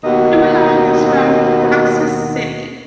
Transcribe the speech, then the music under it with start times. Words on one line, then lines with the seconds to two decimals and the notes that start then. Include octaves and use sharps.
Dumalag is from Roxas City.
0.04 D#2 B2 F#4 D#5